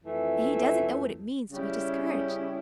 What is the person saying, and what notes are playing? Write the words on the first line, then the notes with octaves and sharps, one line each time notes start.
And he doesn't know what it means to be discouraged.
F2 E3 A3
C#3 G3 C#4 E4 G4